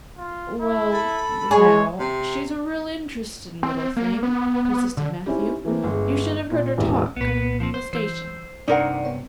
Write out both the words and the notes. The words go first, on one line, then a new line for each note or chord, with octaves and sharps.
"Well now, she's a real interesting little thing," persisted Matthew. "You should have heard her talk coming from the station."
F4
E4
A4 B5
G#3 G#4 C#5
C3
C4
A#3
B3
D3
C4 C#4 D#4 E4 G4
E3 A3 A#3 C4
G1 G#3
A#2
E1 A1 E3
C2 A#2 B3 B4
F3 B3 C4
C5
E3 C5 E6 G6
G2 C3 D4 D#4 A#4 D5 F#5
B3 C#5